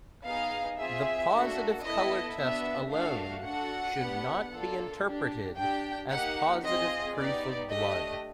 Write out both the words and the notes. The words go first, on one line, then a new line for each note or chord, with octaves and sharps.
The positive color test alone should not be interpreted as positive proof of blood.
B3 D#4 G#4 F5
C4 F4 G#4 E5
A#3 D4 F#4 A4
B3 E4 A4 D#5
B3 D4 F#4 E5
A3 D4 F#4 F5
D4 F#4 A4 F#5
B3 D4 G4
A#3 D4 F4 A4
D4 G4
D4 G4 G5
A#3 D#4 G4 F#5
C4 F4 G#4 D#5
B3 D#4 G4 D5
A3 D4 G4 D#5